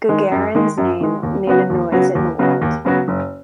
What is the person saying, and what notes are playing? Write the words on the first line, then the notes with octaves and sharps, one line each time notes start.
Gagarin’s name made a noise in the world.
D#3 G#3
F#2
D#3 G#3
F#2
D#3 G#3
D#2
C#3 F#3 B3 F#4
D#2
C#3 F#3 B3 F#4
D#2
C#3 F#3 B3 F#4
D#2
C#3 F#3 B3 F#4
F#1